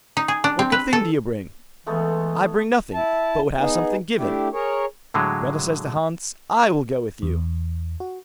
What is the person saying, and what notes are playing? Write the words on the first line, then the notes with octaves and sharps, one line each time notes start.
What good thing do you bring?' 'I bring nothing, but would have something given.' Gretel says to Hans: 'I will go with you.'
D#4
G#4
D4
C4
B4
A4
E3 G#3 A3 B3
E4 A5
B3 D#4 G#4
A3 D4 E4 G4
G#4 A#4 C#5
A2 D3 F#3 G#3
E2
F#4